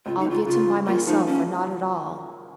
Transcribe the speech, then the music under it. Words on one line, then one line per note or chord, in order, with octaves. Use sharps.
I'll get him by myself or not at all.
C#2 F4
D#4
C#2 F4
C#3 F4
F3
A#3 F4
F3 D#4
F3 C#4